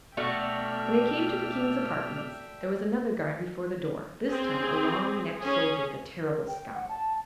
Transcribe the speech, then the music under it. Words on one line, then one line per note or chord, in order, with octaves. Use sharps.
When they came to the King's apartments there was another guard before the door, this time a long-necked soldier with a terrible scowl.
B2 A3 D4 F#4 D5 E5 G5 F6
C4 G#4
C#4 G#4
A#4
G5
F#5
A5